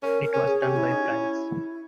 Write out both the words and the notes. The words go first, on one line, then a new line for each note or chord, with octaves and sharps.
It was done by France.
C#4 A#4
A#4
C#4
A#4
G#4
C#4 G4
E4
D#4
G4
E4